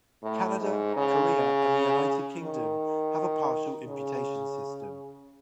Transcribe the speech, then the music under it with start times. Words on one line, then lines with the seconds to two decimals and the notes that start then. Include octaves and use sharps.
Canada, Korea and the United Kingdom have a partial imputation system.
0.23 A2
0.60 G#2
0.96 C#3
2.42 D#3
3.88 C#3